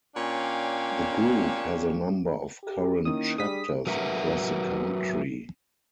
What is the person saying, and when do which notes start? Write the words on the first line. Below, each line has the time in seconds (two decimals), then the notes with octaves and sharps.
The group has a number of current chapters across the country.
0.15 A#2 C#4 D4 C#5 F5 G5
2.63 G4
3.05 D#3 A#3 C#4 E4 D#6
3.38 G3 D4 G#4 D#6 B6
3.87 F#3 A#4 B4 E5 F#5 A#5